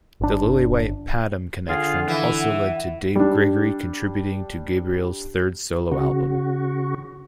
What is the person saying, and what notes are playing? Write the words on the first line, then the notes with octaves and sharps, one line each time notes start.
The Lillywhite-Padgham connection also led to Dave Gregory contributing to Gabriel's third solo album.
G1 D4
D3 F4 G#4 F5 F#5
E3 E5
G3 D4
C#3 F#4